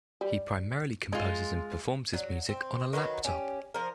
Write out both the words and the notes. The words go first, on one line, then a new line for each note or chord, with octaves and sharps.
He primarily composes and performs his music on a laptop.
G3
G#3 D#4 F4
F#3
C4
D#3 F#3 A#4 B4
C#4 G4
F3 A#4